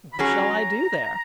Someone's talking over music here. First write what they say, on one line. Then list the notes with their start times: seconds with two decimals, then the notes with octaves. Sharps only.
"What shall I do there?"
0.13 B5
0.19 F#3 C#4 G#4 A#5